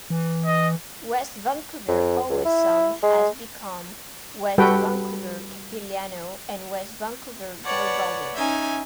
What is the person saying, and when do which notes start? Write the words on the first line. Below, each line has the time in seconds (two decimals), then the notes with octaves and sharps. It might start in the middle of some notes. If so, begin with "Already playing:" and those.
West Vancouver-Howe Sound has become West Vancouver-Capilano and West Vancouver-Garibaldi.
0.10 E3
0.46 D#5
1.88 F2
2.29 C#2
2.46 E4
3.03 G#3
4.58 G3 F#4 A4 B4 G5
7.64 B4 C#5 D5 F#5 A5
8.35 C#4 D#4 E5 G#5